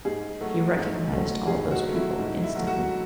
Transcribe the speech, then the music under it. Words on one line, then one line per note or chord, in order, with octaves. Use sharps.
He recognized all those people instantly.
G#2 G#4
F#3 A3
G#2
F#3 A3
G#2 G#4
F#4
F#3 A3
E4
G#2
E4
F#3 A3
F#4